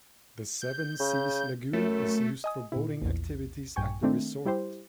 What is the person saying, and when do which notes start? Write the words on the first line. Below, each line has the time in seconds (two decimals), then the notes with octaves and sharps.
The Seven Seas Lagoon is used for boating activities at the resort.
0.62 G6
1.00 C#3
1.73 F#2 A3
2.44 D#5 G#5 D#6
2.72 A#2 E4
3.02 A#1 E2
3.76 A#1 G2 G5 G#5 C#6
4.03 D#3 A3 C4 D4
4.45 G3 E4 G4 C5